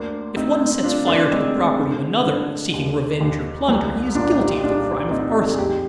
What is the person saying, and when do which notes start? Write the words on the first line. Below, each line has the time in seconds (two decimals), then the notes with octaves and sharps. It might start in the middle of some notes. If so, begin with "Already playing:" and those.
If one sets fire to the property of another, seeking revenge or plunder, he is guilty of the crime of arson.
Already playing: D2 A#3 D4
0.36 D2 C4 D#4
0.83 D3 D4 F4
1.07 A#3 D4
1.31 D2 G#3 C4
1.55 G#3
1.79 D3
2.26 D3
2.74 D#2
3.21 D#2
3.68 C2
4.15 A#2 D4 F4
4.39 D#4 G4
4.63 A#2 D4 F4
5.10 A#2 C4 D#4
5.54 G#4
5.58 F2 D#4 G4